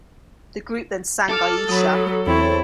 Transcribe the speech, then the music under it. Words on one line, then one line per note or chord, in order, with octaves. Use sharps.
The group then sang "Iesha".
A4 A5 D6 F6
F#3 B5 D#6
E2 C4 E4 C#5